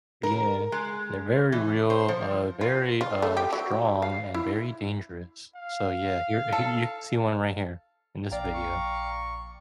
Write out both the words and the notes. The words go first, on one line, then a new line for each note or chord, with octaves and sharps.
Yeah. They're very real, uh, very, uh, strong, and very dangerous. So, yeah, here here you see one right here in this video.
A#4
G#3
E3
C5
F3
F4
F4
A3
G4
F#3
F5
E4
F5
A4
A#1 D5 F5 G5 A#5
C#6